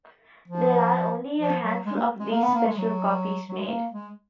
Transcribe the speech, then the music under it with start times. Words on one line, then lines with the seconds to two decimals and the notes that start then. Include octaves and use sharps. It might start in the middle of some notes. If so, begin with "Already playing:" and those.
There are only a handful of these special copies made.
0.48 F3
1.40 F3
1.62 F#3
1.86 G#3
1.97 A#3
2.20 G#3
2.32 A#3
2.43 B3
2.54 A#3
2.66 G#3
2.77 F#3
3.49 F#3
3.59 G#3
3.69 A#3
3.92 G#3